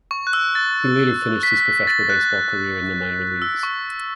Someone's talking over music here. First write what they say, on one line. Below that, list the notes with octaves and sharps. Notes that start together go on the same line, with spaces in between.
He later finished his professional baseball career in the minor leagues.
C#6
F#6
E6
A6
B6
B6
A6
F#6
E6
C#6